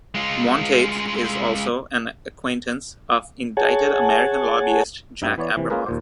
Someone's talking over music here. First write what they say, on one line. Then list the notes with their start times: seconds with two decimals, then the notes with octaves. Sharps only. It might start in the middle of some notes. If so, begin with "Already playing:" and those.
Monteith is also an acquaintance of indicted American lobbyist Jack Abramoff.
0.15 G#3 F4
3.57 G#4 C#5 F#5 G#5 A5
5.22 G2 D#4 B4 E5 G5
5.38 E3 B3 C#5 D5
5.57 C3 E3
5.70 A#3 C#4 F4 G#4 A#4 B4
5.86 D#2 A#2 C5